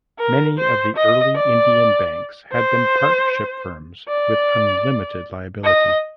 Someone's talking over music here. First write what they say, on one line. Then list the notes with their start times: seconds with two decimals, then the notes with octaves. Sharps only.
Many of the early Indian Banks had been partnership firms with unlimited liability.
0.19 A#4
0.58 C5
0.96 D#5
1.35 D5
2.52 C5
4.08 D5
5.64 D#5